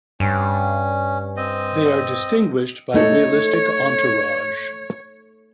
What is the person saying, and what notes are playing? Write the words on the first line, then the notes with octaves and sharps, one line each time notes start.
They are distinguished by realistic entourage.
G2 C#4
C4 D#5
A3 D#4 A4 C#5